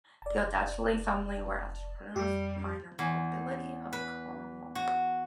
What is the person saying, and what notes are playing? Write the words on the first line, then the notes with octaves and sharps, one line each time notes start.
The Odescalchi family were entrepreneurs with the minor nobility of Como.
F1 D5 A5
F2 G3 G4
E2
B4
F#4